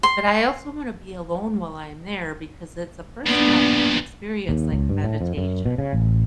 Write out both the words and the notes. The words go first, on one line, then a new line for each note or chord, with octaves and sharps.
but I also wanna be alone while I'm there, because it's a personal experience like meditation
C6
G2 A#2 B3 D4
D#2
C#2
G2
A2
F2
F#2
B2
C#3
A1